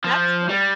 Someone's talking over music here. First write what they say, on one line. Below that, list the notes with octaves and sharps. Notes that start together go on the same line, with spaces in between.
That's good.
F3
G3